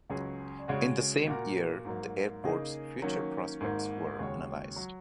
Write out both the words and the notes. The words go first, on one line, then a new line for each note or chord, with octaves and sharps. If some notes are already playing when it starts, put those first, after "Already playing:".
In the same year, the airport's future prospects were analysed.
C#2 C#3 F#3 C#4 G#4
C#3 G#3 F#4 C#5
A#2 A#3 F#4 A#4
G#2 F#3 A#3
C#3 A#3 D#4 G#4 D#5
D#3 F#3 A#3 C#4
G#1 G#2 D#3 A#3
D#2 C#3 G#3 F#4 C#5
F#3